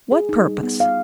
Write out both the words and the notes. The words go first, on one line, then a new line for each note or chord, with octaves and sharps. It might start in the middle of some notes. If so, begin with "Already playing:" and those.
"What purpose?"
G#4
D#4
G3
B3
F5